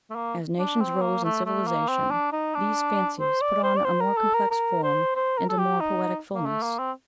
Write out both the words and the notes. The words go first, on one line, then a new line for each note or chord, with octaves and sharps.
As nations rose in civilization these fancies put on a more complex form and a more poetic fulness.
A3
A#3
D4
C4
A#3
A3
A3
A#3
C4
D4
D#4
D4
C5
D5
C5
D5
C5
A#4
A4
A#4
A#4
C5
C5
A#4
A4
G4
D#4
A#3
A3
A#3
C4